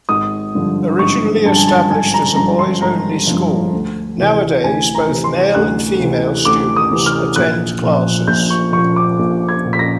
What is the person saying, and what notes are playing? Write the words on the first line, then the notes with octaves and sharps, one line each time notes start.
Originally established as a boys-only school, nowadays both male and female students attend classes.
G#1 D#6
G2 D3 F3
G#1 C#6
G2 D3 F3 A5
G#5
A5
G#1 G#5
A#5
G2 D3 F3 A#5
C6
G#1 A#5
G2 D3 F3
D2
C3 E3
D2 G#5
A#5
C3 E3
C6
D2 F#6
C3 E3
D2 D6
D#6
C3 E3
F6
A#1 F#6
A#2 F3
A#1 G6
C#6
A#2 F3 C#6
D6
A#1
G#6
A#2 F3
B6
A#6